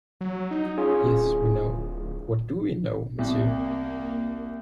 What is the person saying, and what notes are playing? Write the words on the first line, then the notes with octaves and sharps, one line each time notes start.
Yes, we know — what do we know, monsieur?
F#3
D#4
C#4 F4 G#4
D1
C2 A#3